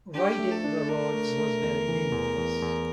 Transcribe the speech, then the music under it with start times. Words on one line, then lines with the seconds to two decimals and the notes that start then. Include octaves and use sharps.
Riding the rods was very dangerous.
0.14 D4 G4
0.39 A3
0.51 A4
0.64 D4
0.89 D4 A#4
1.14 A3
1.38 A3
1.63 E2
1.88 E3
2.12 E2
2.38 E2
2.62 E2